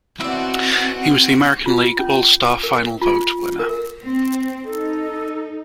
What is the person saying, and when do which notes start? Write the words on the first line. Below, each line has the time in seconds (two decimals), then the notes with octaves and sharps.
He was the American League All-Star Final Vote winner.
0.20 B2 C4 E4 F#4 D5 F#5
1.66 F4
1.99 C#4
2.63 A#4
3.02 F4
3.59 A#4
4.05 C4
4.65 D#4 A4